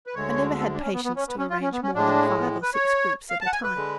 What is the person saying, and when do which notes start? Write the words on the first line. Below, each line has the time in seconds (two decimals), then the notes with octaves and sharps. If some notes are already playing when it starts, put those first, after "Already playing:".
I never had patience to arrange more than five or six groups at a time.
0.06 B4
0.15 D2 D3 G#3 C#5
0.60 A4
0.74 D4
0.82 C#4
0.93 B3
1.05 B3
1.16 C#4
1.28 B3
1.38 C#4
1.50 F4
1.61 C#4
1.73 B3
1.83 C#4
1.94 A2 G#3 D4
2.40 B3
2.63 B4
2.74 C#5
3.30 F5
3.41 A5
3.46 F#5
3.53 G#5
3.64 B4
3.76 D3 G#3